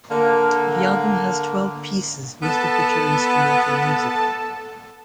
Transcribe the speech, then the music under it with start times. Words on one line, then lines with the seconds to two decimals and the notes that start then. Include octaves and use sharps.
The album has twelve pieces, most of which are instrumental music.
0.11 D3 A#3
2.42 B3 A4 A5